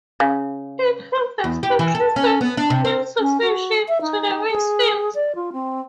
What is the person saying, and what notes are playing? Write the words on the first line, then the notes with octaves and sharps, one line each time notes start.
At harvest, the priests went in succession to the maize fields.
C#3
E2
G4
E3
A4
C#4
B3
D4
C3
C4
C#4
F#4
E5
D#4
G#4
D5
F4
C4